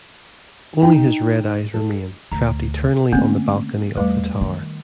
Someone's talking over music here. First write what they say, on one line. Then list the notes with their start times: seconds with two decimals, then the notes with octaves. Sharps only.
Only his red eyes remain, trapped eternally on the balcony of the Tower.
0.83 D#4 G5
1.74 A4
2.32 D2 A#5
3.12 D3 A3 A#3 C4 C#4
3.97 E2 G3 A3 B4
4.41 D#3